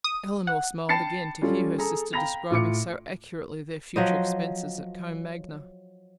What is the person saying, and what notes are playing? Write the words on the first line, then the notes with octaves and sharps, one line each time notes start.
Elinor smiled again, to hear her sister describing so accurately their future expenses at Combe Magna.
D#6
F#5
G5 A5 B5 A6 C7 C#7
G3 C#4 F4 A4
G#4 A4 A#5
F5 G5 A#5 B5 A#6 F7
A2 F4 D6 C#7
F3 F#3 C5 D#5